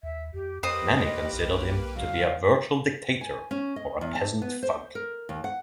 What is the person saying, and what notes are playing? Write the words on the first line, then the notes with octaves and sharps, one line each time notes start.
Many considered him to be a virtual dictator or a peasant thug.
D#2 E5
F2 G4
F2 A#3 G4 B4 C5 D#5 D#6
B1
G#2 C#3 F#3 F5
G#5
C#4
D#5
E2
A5
B3
C5
A#4
D#2
F#5